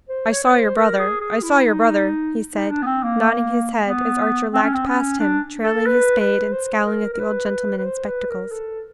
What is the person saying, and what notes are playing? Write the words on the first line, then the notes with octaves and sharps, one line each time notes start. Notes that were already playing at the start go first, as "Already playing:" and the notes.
"I saw your brother--I saw your brother," he said, nodding his head, as Archer lagged past him, trailing his spade, and scowling at the old gentleman in spectacles.
C5
C#5
C#5
C5
A#4
G#4
G#4
E4
D#4
D#4
D4
B3
C4
A#3
B3
C4
C#4
C4
C#4
D4
A4
B4
B4
C5
A#4
A#4
B4
B4
C5
B4
A#4
A4